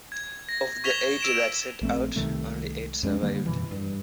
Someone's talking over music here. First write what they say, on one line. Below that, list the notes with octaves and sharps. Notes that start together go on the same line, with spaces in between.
Of the Eighty that set out, only eight survived.
G#6
A#6
C#6 G#6 B6 E7 F7 G7
E6 D7 E7
A#1 A3 C4
C2 C3 D#3 A3
F2 G#3 A3 D4
D3 E3 G3 A#3
F#2 B2 E3
G2